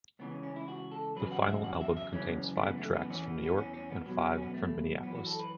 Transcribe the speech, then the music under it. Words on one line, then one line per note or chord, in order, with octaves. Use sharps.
The final album contains five tracks from New York and five from Minneapolis.
C#2 C#3 E3 B3
C#4
C#4
E4
F#4
A4
E2 C#3 F#3 B4
F#5
E5
F#5
E5
E5
F#2 C#3 E3 C#4
A3
B3
A3
B3
E2 E3 C#4
B3
B3
C#4
C#4
B3
E2 B2 F#3
C#4
C#4
B3
A3
F#2 E3 B3
F#4
A4
B4